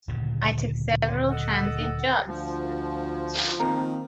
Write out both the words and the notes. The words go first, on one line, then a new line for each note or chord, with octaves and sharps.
I took several transient jobs.
D1 A#2 C#3
A4 D#5 F#5
D2 F3
D#3 A#3 C4 F4 A#4 A#5